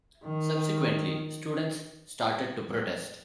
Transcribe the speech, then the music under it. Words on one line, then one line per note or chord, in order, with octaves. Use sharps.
Subsequently students started to protest.
D#3